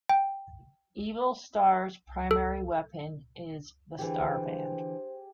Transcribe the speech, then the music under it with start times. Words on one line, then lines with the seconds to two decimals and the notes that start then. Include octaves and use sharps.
Evil Star's primary weapon is the "Starband".
0.09 G5
2.31 A4
3.99 D3 E3 G4 G#4 C5